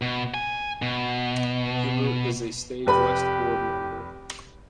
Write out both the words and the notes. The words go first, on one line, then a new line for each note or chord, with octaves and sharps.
Huber is a Stage West board member.
B2
G#5
B2
F1 G4 B4 B5